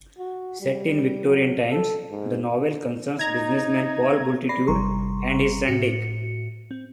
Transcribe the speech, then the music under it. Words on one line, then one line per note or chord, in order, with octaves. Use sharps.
Set in Victorian times, the novel concerns businessman Paul Bultitude and his son Dick.
F#4
G3
F#3
A4
G#2
D3
D#4 A#5 G#6
D5 B5 A#6 C7
G1 C3 G3 A#5 C6 C#6
A2 F#4 C#7
C4